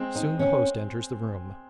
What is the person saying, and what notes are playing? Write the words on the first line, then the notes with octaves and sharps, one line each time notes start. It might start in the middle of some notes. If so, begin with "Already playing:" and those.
Soon the host enters the room.
Already playing: G#3 C4
D#4
C#4